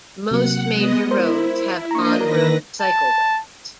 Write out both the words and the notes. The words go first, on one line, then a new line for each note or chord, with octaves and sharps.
Most major roads have on-road cycleways.
C3 F#3 A#3 F#5
G#3 B3 D#5
E4 A#4 C5
A#3 D4 D#5 A#5 C#6
D#3 A#4 B4 A#6
A5